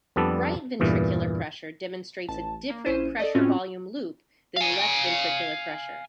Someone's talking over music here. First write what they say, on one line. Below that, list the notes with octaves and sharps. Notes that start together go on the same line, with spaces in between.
Right ventricular pressure demonstrates a different pressure-volume loop than left ventricular pressure.
F2 G3 B3 D4 A4
E2 G2 A#2 E3
A1 A5
A#3
A#1 C#4 E4 C5 D#7 E7
A4 D5 D#5
A2 C4 C#4 F4 F#4
F5 G#5